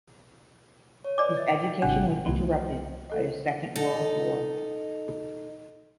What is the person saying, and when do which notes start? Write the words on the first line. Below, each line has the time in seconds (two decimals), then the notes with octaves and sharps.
His education was interrupted by the Second World War.
1.04 C#5
1.18 B4 D5 D#5 G#5 D6
1.37 E5 A6
1.61 G5
1.82 G#1 C3 D4 F#5
2.26 C2 E3 F3 A3 B3 F#4
3.10 A4 D#5
3.76 D#4 A4